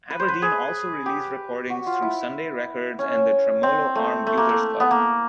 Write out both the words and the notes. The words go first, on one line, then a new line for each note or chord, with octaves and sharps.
Aberdeen also released recordings through Sunday Records and the Tremolo Arm Users Club.
B4
C5
B4
G#4
G4
F#4
F4
E4
C#4
C4
A3
A3
A#3
A3
B3
A#3